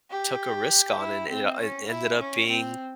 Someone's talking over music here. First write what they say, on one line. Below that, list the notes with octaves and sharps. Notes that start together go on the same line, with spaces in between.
took a risk on and it, uh, ended up being
G4
E4
C4
C#4
E4
C#4
C4